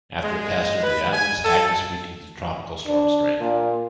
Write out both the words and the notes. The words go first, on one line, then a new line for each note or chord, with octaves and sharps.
After it passed over the islands, Agnes weakened to tropical storm strength.
G#3
B4
G#5
A4
D4
A#2